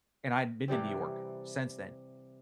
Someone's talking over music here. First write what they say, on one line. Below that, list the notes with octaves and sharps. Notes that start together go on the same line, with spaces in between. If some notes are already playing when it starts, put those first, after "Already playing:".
and I hadn't been to New York since then,
C3 E3 G3 C4